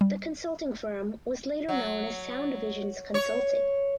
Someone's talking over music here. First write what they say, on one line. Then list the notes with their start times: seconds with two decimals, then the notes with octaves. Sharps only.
The consulting firm was later known as Sound Visions Consulting.
0.01 G3
1.69 F#3
3.14 C#5